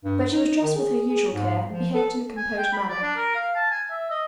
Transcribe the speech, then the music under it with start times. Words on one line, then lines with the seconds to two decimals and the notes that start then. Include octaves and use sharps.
But she was dressed with her usual care and behaved in a composed manner.
0.04 G2
0.32 D#4
0.63 D#3
0.75 G#4
1.09 G#4
1.34 G#2
1.71 F3
1.94 A4
2.37 G#5
2.58 G5
2.73 B5
2.89 D5
3.02 D4
3.16 A#4
3.35 F5
3.55 A5
3.71 G#5
3.91 E5
4.11 D#5